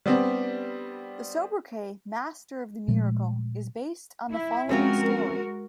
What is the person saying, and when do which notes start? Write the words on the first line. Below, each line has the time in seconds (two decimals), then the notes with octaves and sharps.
The sobriquet "Master of the Miracle" is based on the following story.
0.06 G3 B3 C4 D4
2.88 A#2 F3 G#3 A3
4.33 E4
4.69 F3 G#3 C4 C#4 F#4 A#4